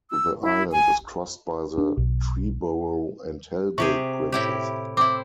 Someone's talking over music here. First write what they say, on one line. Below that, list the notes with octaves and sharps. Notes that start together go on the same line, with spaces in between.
The island is crossed by the Triborough and Hell Gate bridges.
E6
E4
G#5
D4
B1
C3 G4 G#4 C#6
A2 E4 G4
C4 E4 D6